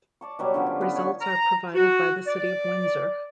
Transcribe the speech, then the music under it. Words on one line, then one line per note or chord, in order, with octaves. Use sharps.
Results are provided by the City of Windsor.
D5 A5 C#6
B2 F#3 G3 C#5
D3 F3 B3 C#4
F4
B3
C#5 C#6
A#5
F#4
D5